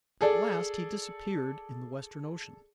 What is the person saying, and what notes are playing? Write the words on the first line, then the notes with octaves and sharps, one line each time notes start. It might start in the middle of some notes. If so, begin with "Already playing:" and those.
At last he disappeared in the western ocean.
G#4 A4 D5